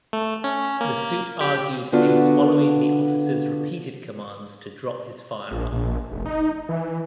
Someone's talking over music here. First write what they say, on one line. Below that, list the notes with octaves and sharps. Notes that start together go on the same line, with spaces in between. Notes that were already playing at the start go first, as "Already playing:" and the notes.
The suit argued he was following the officers’ repeated commands to drop his firearm.
A3
C#4
A#3
G4
D3 B3 D4 F4 F#4
A#1
A#1
F1
D#4
E3